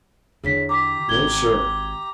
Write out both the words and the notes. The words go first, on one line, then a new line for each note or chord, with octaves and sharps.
No, sir!
E2 D3 G#4 C#5 B6
G4 A#5 D6 B6
G#1 G#6 G7